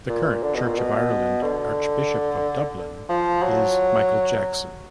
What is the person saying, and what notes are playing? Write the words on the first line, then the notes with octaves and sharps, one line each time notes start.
The current Church of Ireland Archbishop of Dublin is Michael Jackson.
A#2
D3
B2
A#2
B2
D3
F3
F#3